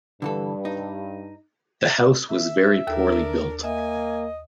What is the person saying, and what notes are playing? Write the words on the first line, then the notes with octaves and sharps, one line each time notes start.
The house was very poorly built.
G2 D3 E3 A4
D#4
E5
D#2 D4 A4 A#4 E6
A#3 D#5 E5 G#5